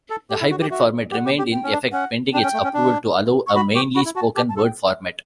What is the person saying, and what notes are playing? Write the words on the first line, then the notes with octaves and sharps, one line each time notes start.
The hybrid format remained in effect pending its approval to allow a mainly-spoken-word format.
A4
G4 A4
E4
F#4
G4
F#4 E5
G4 F#5
G4
G4
G5
C#4
D4
C#4 F#5
D4 G5
C#4
A3
C#4
D4
C#6
F#4 B5
G4 C#6
F#4 B5
E4
F#4 A5
G4 A5
A5
A4
G5